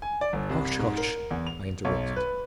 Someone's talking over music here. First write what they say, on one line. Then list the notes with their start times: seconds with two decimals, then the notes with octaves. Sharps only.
'Hush, hush!' I interrupted.
0.02 G#5
0.21 D5
0.33 G1
0.49 C2
0.79 G#2
0.98 A#4
1.31 E2
1.47 F7
1.85 B1
2.16 B4